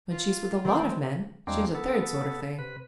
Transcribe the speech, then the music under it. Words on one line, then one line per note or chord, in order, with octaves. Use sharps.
When she is with a lot of men, she is a third sort of thing.
F4
D#3 E3 A3 C4
E2 G3 G#3 A#3 C4 D4
B3 A4
C3 B4